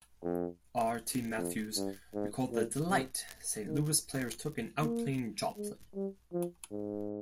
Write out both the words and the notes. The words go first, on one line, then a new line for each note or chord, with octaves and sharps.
Artie Matthews recalled the "delight" the Saint Louis players took in outplaying Joplin.
F2
F2
G2
G#2
A#2
C3
D#3
A#3
G#3
G3
F3
G#2